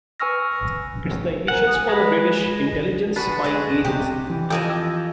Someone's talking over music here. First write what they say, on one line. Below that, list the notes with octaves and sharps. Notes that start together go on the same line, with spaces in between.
It's the initials for the British intelligence spying agency.
B4 G#5 C#6 E6 F6 A#6
A#4 C5 F#5 G#5
G#5 D#6
G#3 B4
D4 F#4 G#4 B4
G#3 D#5
C3 G4
E3
F2 F3 G4 D#5 G#5
D#5 D6 E6